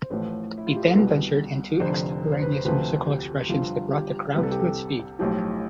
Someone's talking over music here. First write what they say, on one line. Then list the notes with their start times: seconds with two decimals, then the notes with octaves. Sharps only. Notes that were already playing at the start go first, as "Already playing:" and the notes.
He then ventured into extemporaneous musical expressions that brought the crowd to its feet.
0.03 C5
0.10 A1 A2 F3 B4
0.57 E4
0.67 F4
0.76 G4
0.85 A4
0.95 C2 B2 G3 B4
1.80 F1 F2 D3 C5
2.32 C5
2.42 B4
2.52 C5
2.65 D2 C3 F3 B4
3.07 G4
3.49 G1 G2 F3 F4
3.93 G4
4.35 C2 C3 G3 B4
4.43 A4
4.51 G4
4.60 A4
5.19 B1 A2 F3 G4